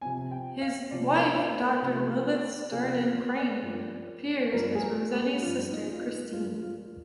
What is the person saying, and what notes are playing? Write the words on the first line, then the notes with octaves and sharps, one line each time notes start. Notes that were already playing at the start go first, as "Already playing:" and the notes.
His wife Doctor Lilith Sternin-Crane appears as Rosetti's sister, Christine.
C3 F3 C4 G#5
G5
F5
C3 F3 C4 D5
A#4
C5
A#4
C3 F3 C4
C3 F3 C4 G#4
A#4
C5
D5
G2 F3 A#3
G2 F3 A#3 A#4
G#4
A#4
G4
G2 F3 A#3 F4
D#4
F4
D#4
G2 F3 A#3 F4
F4